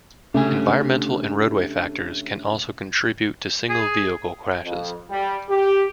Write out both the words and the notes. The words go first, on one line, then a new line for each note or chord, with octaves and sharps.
Environmental and roadway factors can also contribute to single-vehicle crashes.
C#3 A3 D4 G4 G#5
G#4
F2
G3
G4